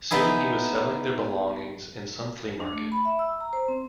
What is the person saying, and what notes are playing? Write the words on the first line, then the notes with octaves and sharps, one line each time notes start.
Soon he was selling their belongings in some flea market.
B3 D#4 E4 G#4
D4
A3
B5
E5
E6
A#5
C5
C4